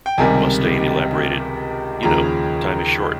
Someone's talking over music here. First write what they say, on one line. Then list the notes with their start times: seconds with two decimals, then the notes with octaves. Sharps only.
Mustaine elaborated: You know, time is short.
0.06 G5
0.18 C#2 C3 D#3 G3 G#5
2.03 D#2 C#3 F3 A#5